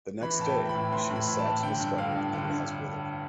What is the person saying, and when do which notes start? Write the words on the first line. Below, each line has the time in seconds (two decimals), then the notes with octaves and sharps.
The next day, she is sad to discover that it has withered.
0.21 E3 B5
0.39 A2 A5
0.46 G5
0.57 E3
0.69 B5
0.75 A2
0.92 E3 C6
1.10 A2
1.16 B5
1.28 A2
1.39 A5
1.46 A2
1.63 D3 G5
1.80 G2
1.98 D3 F5
2.16 G2
2.33 D3
2.50 D3